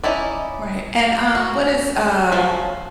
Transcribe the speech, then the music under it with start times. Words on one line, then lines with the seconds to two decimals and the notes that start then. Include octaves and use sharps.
Right. And, um, what is um
0.03 C#4 D#4 E4 D5
1.35 F#4
2.32 F3 F#3 A3 C#4